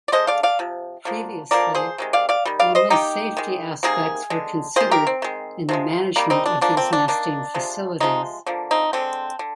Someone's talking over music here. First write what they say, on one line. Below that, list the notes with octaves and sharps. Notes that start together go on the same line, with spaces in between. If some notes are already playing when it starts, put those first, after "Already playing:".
Previously, only safety aspects were considered in the management of these nesting facilities.
D5
D3 G#3 C5 D#5
D5 F5
D5 F5
C3 F3
D3 F3 A#3
D3 F3 A#3 A#4 D5
G#4 C5
C3 D#3 G#3
D5 F5
D5 F5
D#3 G3
D5 F5
C5 D#5
D#3 G3 A#3 D#4 G4
D#3 G#3
C3 D#3 A#3 G#4
D3 G#3
D#3 A#3 G#4 C5
G4 A#4
C4
D#3 G#3
C3 F3 G#3
D#3 G3 A#3
C4 D#4
D4
D3 F3 A#3 D4
C4
D4
D#3 A#3 D4
C3 F3 G#3
C3 F3 G#3 C4 D#4
D3 F3 A#3
C4 D#4
D3 G#3 C4
D3